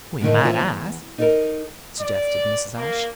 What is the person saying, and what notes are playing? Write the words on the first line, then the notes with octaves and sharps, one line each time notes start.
"We might ask," suggested Mrs. Ashe.
A2 D3 D#3 A3
E3 F3 C#4 F4 D5 E5
E2
D#4 A4 A#4
D5
A#3